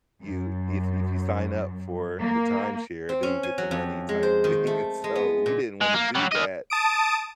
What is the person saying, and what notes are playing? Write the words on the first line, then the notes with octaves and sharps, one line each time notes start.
you if if you sign up for the timeshare, then you get the money type thing, and so, we didn't wanna do that.
F#2
A#3
C4
C#4
G#5
F#3
F2
G#3
C5
D#3
A3
G#3
B3
A#2
G#3
A#3
F#3 G3
A#3 D#5
A5 D#6 D7